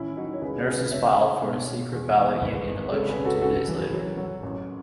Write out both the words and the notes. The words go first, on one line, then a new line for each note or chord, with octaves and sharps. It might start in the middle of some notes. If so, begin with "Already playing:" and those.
Nurses filed for a secret-ballot union election two days later.
Already playing: A1 D#3 C#4 E4
F#3 D#4 F#4
C#5
C#2 G#4 B4
C#2 B4 D#5
C#3 C#5 E5
C#3
B2
B2
E2
E2
G#1 B4 D#5
G#1
C#2 A4 C#5
G#4 B4
C#3
F#4 A4
C#3 F#4 A4
E3
F#3
F#3
A1